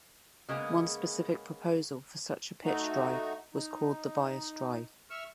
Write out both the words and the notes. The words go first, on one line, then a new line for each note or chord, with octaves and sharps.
One specific proposal for such a pitch drive was called the bias drive.
C#3 G#3 A#3 B3
A3 D#4 F#4
D#4
E5 C#6 E6 F6